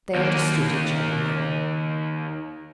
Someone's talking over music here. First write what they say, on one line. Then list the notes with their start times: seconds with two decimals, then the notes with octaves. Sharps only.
They understood each other now.
0.15 D#2 A#3